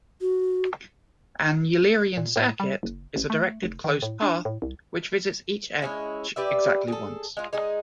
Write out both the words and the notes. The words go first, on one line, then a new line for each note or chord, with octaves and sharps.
An Eulerian circuit is a directed closed path which visits each edge exactly once.
F#4
A#2
A2
G3
F#1
A1
A3
F1
D#3
A2
D4
A2
C2
G#3 C#4 E4
G4 B4 D5 E5
G#4 A4
G#3 F4
G#3 D#4 G#4